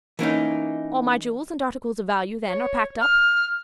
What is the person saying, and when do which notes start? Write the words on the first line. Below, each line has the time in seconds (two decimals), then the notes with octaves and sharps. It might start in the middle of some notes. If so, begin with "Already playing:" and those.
"All my jewels and articles of value, then, are packed up?"
0.19 E3 A#3 C#4 D#4
2.47 C#5
3.01 F6